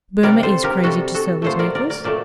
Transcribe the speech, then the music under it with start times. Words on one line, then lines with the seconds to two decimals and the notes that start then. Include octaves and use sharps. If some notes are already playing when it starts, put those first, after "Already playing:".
Boehmer is crazy to sell his necklace.
0.23 C3 G3 A#4 D5
0.43 A4 C5
0.64 G4 A#4
0.84 C3 G3 F#4 A4
1.14 F#4 A4
1.42 A#2 F#3 A3 A4 C5
1.59 A#4 D5
1.75 A#4 D5
1.90 A#4 D5
2.04 A#2 F#3 A3 A#4 D5